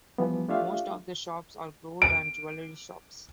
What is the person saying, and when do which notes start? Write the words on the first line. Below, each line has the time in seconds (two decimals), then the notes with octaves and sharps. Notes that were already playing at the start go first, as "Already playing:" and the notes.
Most of the shops are gold or jewelry shops.
0.18 E3 F3 G3 B3
0.49 A3 D4 F4 G4 E5 F5
2.02 D7